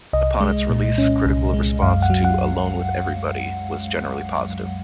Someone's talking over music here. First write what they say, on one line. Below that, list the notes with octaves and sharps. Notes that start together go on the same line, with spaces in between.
Upon its release, critical response to "Alone with Everybody" was generally positive.
C2 D#5
G#3
A#2
C#4
C2
G#3
F#2 F5
F#5
F#3
F#5